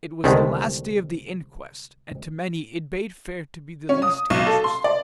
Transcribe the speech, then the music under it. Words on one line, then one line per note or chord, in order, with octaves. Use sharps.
It was the last day of the inquest, and to many it bade fair to be the least interesting.
C2 D3 D#3 G#3 B3
C#4
D#6
B1
A4
C6
D5